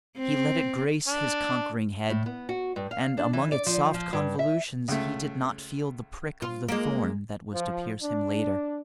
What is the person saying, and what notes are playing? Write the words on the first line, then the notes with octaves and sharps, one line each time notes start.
He let it grace his conquering head, and, among its soft convolutions, he did not feel the prick of the thorn that was to pierce him later.
C4
D4
A2
B3
F#4
G2
F5
D4
E3
D5
F3
F3
G2
E5
C#2 A3
F4
G#3 A#3
F3
D4